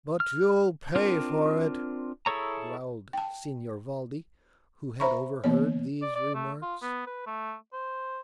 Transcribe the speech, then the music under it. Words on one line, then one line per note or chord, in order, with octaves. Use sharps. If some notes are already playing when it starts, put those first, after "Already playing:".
"But you'll pay for it!" growled Signor Valdi, who had overheard these remarks.
F6
C4 D4 F4 A#4
E4 G#4 A4 C#5 A#5
G5 A5
C5 E5 A#5 B5 C#6
E3 A#3 B3 C#5
D5
D5
A3
F4
B3
B4
A3
C5